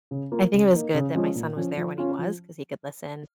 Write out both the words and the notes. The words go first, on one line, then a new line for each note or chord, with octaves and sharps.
I think it was good that my son was there when he was 'cause he could listen,
C#3
A#3 F4
C#3
A#3 D#4
C#3
F3 G#3 C#4 F4
A#2
F3 C#4
F3
C#4 F4
F3